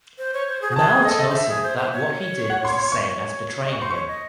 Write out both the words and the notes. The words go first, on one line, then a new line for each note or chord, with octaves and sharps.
Mal tells him that what he did was the same as betraying him.
C5
C#5
C5
G#4
F#4
G#4 A5
A4 D#5
D#5
C5
A4 E5
A4
G#4
C5
C5
C#5
F#5
C6
C6
C#6
C5
C#5
D#5
C#5 C#6
C5 C6
C#5 C#6
D#5